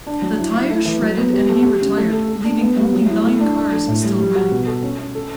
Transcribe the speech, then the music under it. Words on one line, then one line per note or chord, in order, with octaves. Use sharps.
The tire shredded and he retired, leaving only nine cars still running.
D4
F#3
E4
E4
A3
E3
F#3
B3
G4
A3
G4
C#3
A3
A4
A4
D4
B3
G3
F#3
E4
A3
D4
D4
A4
A2
G3
G3
F#4
B2
A4
C#4
C#4
A4